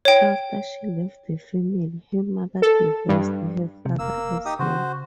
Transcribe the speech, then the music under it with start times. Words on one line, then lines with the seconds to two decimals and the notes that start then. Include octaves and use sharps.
After she left the family her mother divorced her father as well.
0.05 C#5 G5
2.62 A4
3.09 G2
3.85 C3
3.99 F1 A#3 E6
4.46 D#4 G4 D#6
4.59 C#3 F#4 C5